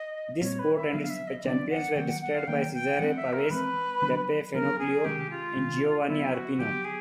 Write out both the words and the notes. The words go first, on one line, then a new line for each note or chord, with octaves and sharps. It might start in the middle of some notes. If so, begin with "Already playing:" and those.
This sport and its champions were described by Cesare Pavese, Beppe Fenoglio, Giovanni Arpino.
Already playing: D#5
A#2 G3 C4 C#5
B4
E5
D3 F#3 B3 D4 F5
F5
E5
D#5
D#5
D3 F#3 B3 D4 D5
F#5
D#3 F#3 A#3 G5
F#5
F#5
F5
D#3 F#3 A#3 G5
G5
E3 G#3 C4 F#5
E5
A#4
E3 G#3 C4 B4
D3 F#3 B3 D4
D3 F#3 B3 D4 A#4
G#4
C3 D#3 G#3 C#4 G4
F4
C3 D#3 G#3 C#4
D3 F#3 B3 E4
F#4
D3 F#3 B3 G4
G#4